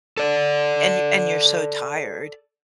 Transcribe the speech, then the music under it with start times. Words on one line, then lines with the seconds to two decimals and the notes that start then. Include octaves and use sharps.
and and you're so tired,
0.17 A4 D5